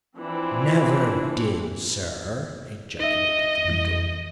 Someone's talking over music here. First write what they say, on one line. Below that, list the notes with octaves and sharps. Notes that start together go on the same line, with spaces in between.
'Never did, sir!' ejaculated the beadle.
E3 F3 C4 D4
D#4 D#5 E5
F2 E3